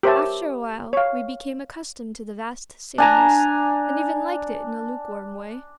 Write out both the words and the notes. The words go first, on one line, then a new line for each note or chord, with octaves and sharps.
After a while we became accustomed to the vast sameness, and even liked it in a lukewarm way.
G4 A#4 C5 C#5 E5 A5
C#5 F5
D4 G#5 A#5